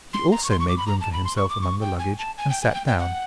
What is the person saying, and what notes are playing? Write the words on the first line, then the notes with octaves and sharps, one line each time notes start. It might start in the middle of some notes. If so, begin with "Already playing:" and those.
He also made room for himself among the luggage and sat down.
C6
A#5
C#6
C6
C#6
D6
B5
A#5
A5
B5
C6
C#6
D6
C#6
G5
G#5
A5
G#5
G5
G#5
F#5
G5
G5
F#5